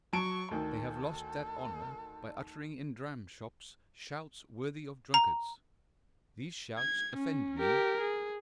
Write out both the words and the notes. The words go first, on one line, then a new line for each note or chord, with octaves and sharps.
They have lost that honor by uttering in dramshops shouts worthy of drunkards. These shouts offend me.
F#3 A5 C#6 D7
D2 D#3 A4
A#5
G#6
C#4
G4 A#4
G#4